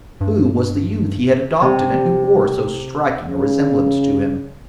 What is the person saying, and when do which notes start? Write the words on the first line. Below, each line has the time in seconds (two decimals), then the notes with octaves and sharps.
Who was the youth he had adopted and who bore so striking a resemblance to him?
0.21 G2
1.61 C3
3.24 C#3